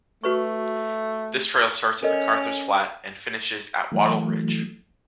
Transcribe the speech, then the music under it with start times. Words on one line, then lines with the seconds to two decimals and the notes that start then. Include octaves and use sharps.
This trail starts at MacArthur's Flat and finishes at Wattle Ridge.
0.24 A3 F#4 B4 C#6
2.03 C#4 A4 A#4 D#5
3.92 E3 F#3 A3